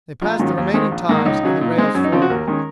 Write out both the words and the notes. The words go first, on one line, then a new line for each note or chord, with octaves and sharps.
They passed the remaining ties and the rails forward.
A#1 F4
G#2 D#3 F#3 C#4
D#2
D#3 G#3 C4
A#1
G#2 D#3 A#3
C#2 D#4
C#3 F#3 C#4
A#2
G#3 C4
F#2 C#4
D#4
C#3 F3 C4 F4
F#4
D#2 A#4
D#3 G#3 C#4